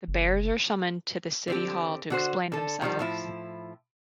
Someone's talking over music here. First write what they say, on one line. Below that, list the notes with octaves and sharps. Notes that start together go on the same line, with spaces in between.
The Bears are summoned to the City Hall to explain themselves.
F#1
D3 C4 G4
D3 F#4 C5
D3 A4
D#3 F3 G3
A2 F3 E4